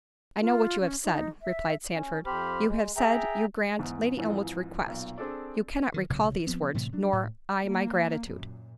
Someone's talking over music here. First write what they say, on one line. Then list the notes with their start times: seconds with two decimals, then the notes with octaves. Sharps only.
"I know what you have said;" replied Sandford, "you have said you grant Lady Elmwood's request--you cannot recall these words, nor I my gratitude."
0.39 F4
0.81 C#4
1.04 D#4
1.42 E5
1.93 C#4
2.26 F2 C4 G4 C5 B5 F6
2.67 G#3
2.97 G#4 E5 G5 A#5
3.79 E2 G#2
4.17 F2 G#2 E3 F3
4.86 B1 A#2
5.18 C4 D4 G#4 A4 D5
5.94 D#3
6.10 B1 A#2 C#3 F#3
6.47 F3 G3 B3 C4
6.74 A2 C3 E3 A3
6.93 F#3 D4
7.13 A2
7.64 A#3
8.28 F#2 A#2